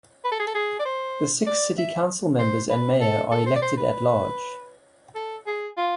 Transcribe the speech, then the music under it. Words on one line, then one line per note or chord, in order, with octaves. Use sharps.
The six City Council members and Mayor are elected at-large.
B4
A4
G#4
A4
G#4
D5
C5
D5
E5
C5
B4
A4
A4
C5
D5
C5
B4
A4
G#4
F4